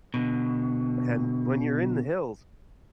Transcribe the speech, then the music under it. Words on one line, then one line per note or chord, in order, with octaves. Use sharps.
and when you're in the hills,
B2 D3